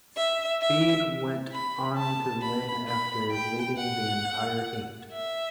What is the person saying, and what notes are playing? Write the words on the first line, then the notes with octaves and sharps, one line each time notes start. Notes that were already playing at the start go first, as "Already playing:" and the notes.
Speed went on to win after leading the entire heat.
E5
E5
B5
A5
B5
B5
G5
F#5
E5